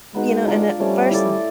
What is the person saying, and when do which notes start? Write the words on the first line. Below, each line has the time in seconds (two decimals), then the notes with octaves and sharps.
you know, and at first
0.14 G#3 B3 D#4 F#4
0.47 D4 F4 A#4 D5
0.79 F3 G3 A3 C#4
1.10 E4 A4 D5